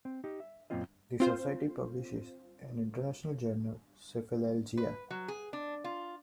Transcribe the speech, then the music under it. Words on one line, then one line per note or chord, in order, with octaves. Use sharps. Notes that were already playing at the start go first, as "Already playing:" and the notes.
The society publishes an international journal "Cephalalgia".
C4
D#4 G4
E5
F#2 A#2 A#3 C4 F4 D#5
C4 F4 C5
B4
F#3
G#4
D4
F4